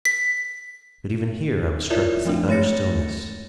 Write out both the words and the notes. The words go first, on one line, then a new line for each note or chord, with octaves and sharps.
But even here I was struck with the utter stillness.
B6
E4 F4 A#4 C#5 D5 E5
F3 A3 C4 D4
G#3 A3 C#5 A6 A#6 C#7